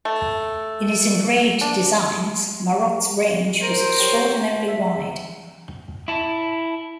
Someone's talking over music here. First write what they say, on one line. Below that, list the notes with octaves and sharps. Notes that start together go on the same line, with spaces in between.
In his engraved designs, Marot's range was extraordinarily wide.
A3
D4
A#4 C5
G4 C#5
E5
E4 A5